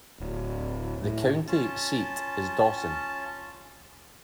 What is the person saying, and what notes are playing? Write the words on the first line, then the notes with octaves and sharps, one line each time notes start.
The county seat is Dawson.
D1
A2
C#4 F4 A5